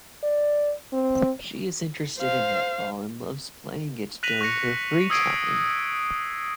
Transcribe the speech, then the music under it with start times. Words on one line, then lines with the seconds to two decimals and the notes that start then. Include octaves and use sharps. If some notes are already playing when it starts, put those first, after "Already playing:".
She is interested in netball and loves playing it during her free time.
0.23 D5
0.93 C4
2.19 C5 F5
4.23 F#6 A#6 B6 D#7 F7 F#7
4.41 C#6 F#6 A#6 C#7
5.10 D#6 E6 G#6 C7 D7 D#7